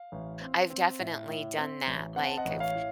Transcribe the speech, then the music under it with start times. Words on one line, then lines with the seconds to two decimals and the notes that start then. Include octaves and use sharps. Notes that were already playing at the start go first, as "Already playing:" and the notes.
I've definitely done that, like, I've
Already playing: F5
0.12 A1
0.41 C4
0.70 C4
0.99 A2
1.29 A2
1.58 C4
1.87 A1
2.16 C4 F#5
2.27 A5
2.37 D#5 F#5
2.45 A1
2.60 C#5 F5
2.75 A2